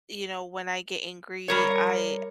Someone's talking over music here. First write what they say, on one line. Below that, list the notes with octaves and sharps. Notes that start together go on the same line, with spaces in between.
you know, when I get angry, I
G3 A#4 C#5